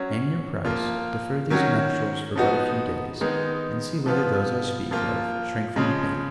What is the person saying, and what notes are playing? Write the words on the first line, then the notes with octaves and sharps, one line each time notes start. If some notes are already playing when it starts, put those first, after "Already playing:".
Name your price, defer these nuptials for but a few days, and see whether those I speak of, shrink from the payment.
Already playing: F#3 C#4 F#4
F3 A#3 F4
D#3 F#3 C#4 F#4
F3 B3 D#4 F#4
D#3 G#3 B3 D#4
F3 B3 F4
F3 A#3 F4
C#3 F3 G#3